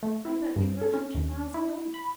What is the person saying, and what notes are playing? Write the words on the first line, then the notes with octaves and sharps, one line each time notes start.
I thought you were a hundred miles away.
A3
E4
G2
A4
C#4
D#2
E4
B5